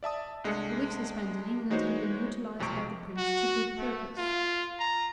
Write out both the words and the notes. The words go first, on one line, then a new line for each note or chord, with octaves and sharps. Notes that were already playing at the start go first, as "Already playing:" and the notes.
The weeks he spent in England had been utilised by the prince to good purpose.
D5 E5 A5 D#6
C2 G#3 A3 D4 G#4 C#7
E3 G#3 D#4 F#4 C5 C#5
B1 F2 C3 F3 C#6 D7
F#4
A3
F4
A#5